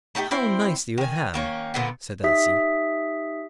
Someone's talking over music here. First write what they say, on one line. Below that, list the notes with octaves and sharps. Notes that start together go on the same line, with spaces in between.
"How nicely you hem!" said Elsie.
A3 D#4 E4 G4
C4 E4 C5 D5
D#3 G#5
D#3 A#3 C#4
A#2 D3 B3
D#4 G4 E5 D#6 B6